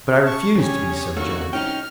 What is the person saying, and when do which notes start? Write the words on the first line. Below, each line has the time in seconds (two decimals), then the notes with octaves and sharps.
But I refused to be so judged.
0.23 A5 C#6
0.55 F2 C#3 G3 C#4 G4 G#4 C#5
1.17 C2 D#3 E3 A3 A#3 C#4 F#4 C#6
1.53 C#4 D#4 G5 F6